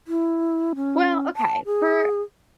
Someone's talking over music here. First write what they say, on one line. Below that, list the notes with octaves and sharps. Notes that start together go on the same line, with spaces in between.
well, okay. For
E4
C#4
A5
G#4